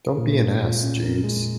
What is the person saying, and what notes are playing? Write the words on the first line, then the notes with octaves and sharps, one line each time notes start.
Don't be an ass, Jeeves.
A#2 A#4
G#3
F4
C#4
A#4
G#3